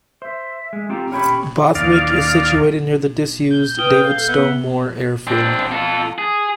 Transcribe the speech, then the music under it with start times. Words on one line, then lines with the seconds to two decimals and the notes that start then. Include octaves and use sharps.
Bowithick is situated near the disused Davidstow Moor airfield.
0.22 C5 E5
0.73 G#3
0.89 C4 F4 G4 A#5
1.12 C#4 G4 C#5 B5
1.75 D#2 D5 F5
3.51 G6
3.79 B4 G5 D#6 F6 G7
4.04 A4 F5
4.28 B3 B4 E5 F#5
5.27 C4 D4
5.71 F4 A4
6.18 G#4